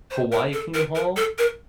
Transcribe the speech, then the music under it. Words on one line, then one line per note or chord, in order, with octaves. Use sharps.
Hawaii Kingdom Hall?
C5
A#4
A4
A#4
A#4
A4
A#4